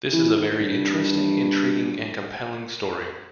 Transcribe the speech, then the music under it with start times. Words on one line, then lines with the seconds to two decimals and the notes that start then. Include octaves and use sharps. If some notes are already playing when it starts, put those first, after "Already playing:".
This is a very interesting, intriguing, and compelling story.
0.13 E3
0.37 D#3
0.61 G2